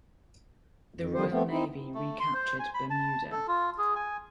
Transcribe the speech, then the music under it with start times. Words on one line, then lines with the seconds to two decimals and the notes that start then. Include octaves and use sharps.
The Royal Navy recaptured "Bermuda".
0.94 F2
1.14 D3 D#3 G3 C4 C5
1.31 A3 B3 C4
1.49 C4 D#4 E4
1.94 A3
2.20 C6
2.34 C5
2.60 G#5
2.74 B5
2.90 A5
3.32 A4
3.48 F4
3.78 G#4
3.96 G#5